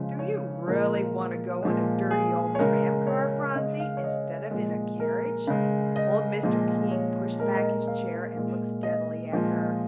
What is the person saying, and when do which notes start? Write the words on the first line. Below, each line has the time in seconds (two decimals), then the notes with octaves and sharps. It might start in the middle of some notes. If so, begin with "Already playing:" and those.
"Do you really want to go in a dirty old tram-car, Phronsie, instead of in a carriage?" Old Mr. King pushed back his chair and looked steadily at her.
Already playing: C#3 F3 G#3
0.19 C#5
0.67 A#2 F3 G#3 A#4
1.63 A#2 F3 G#3
2.11 G#4
2.55 C#5
2.59 C#3 G#3 A#4
3.07 C#5
3.55 C#3 G#3 D#5
3.80 F5
3.97 C#5
4.04 D#5
4.51 A#2 F3 G#3
5.00 A#4
5.47 C#3 G#3
5.96 D#5
6.43 A#2 F3 G#3
6.91 C#5
7.39 A#2 G#3 A#4
7.55 D#5
7.72 D#5
7.87 F5
8.36 A#2 G#3
8.83 D#5
9.32 A#2 F3 G#3